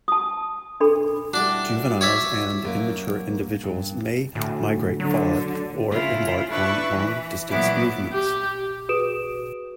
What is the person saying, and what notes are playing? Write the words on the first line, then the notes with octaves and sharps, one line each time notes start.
Juveniles and immature individuals may migrate far or embark on long-distance movements.
A5 D#6
D4 G#4 A4 B5
G3 D4 E4 F#4 D5
C#5 D5 E5
F#2 A#3
G2
D2 A2
D3 F#3
C#3 E4 F4
D4 E4 B4 C#6 E6
E3
A#2 E3 F#3 B3 E4 D6
G4
F#4 G#4 B4 D#6 D7 E7